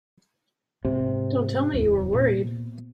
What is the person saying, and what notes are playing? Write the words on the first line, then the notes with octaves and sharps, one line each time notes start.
Don't tell me you were worried!
G#2 C3
D1 E2
A#2 B3